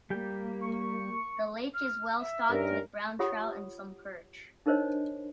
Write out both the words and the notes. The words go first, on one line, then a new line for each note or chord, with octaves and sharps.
The lake is well stocked with brown trout and some perch.
G3 A#3 G4 G5
C#6
F6
E5
G2 C#4 D#4 A#4
F4 G4 C#5 F#5 B5 D#6
D4 D#4 A#4 C5 C#5 D#5